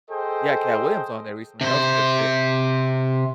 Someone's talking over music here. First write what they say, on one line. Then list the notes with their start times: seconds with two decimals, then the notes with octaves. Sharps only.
He had Katt Williams on there recently, that was a good good e
0.10 G#4 A4 C5 D#5 G5
1.61 C3 C5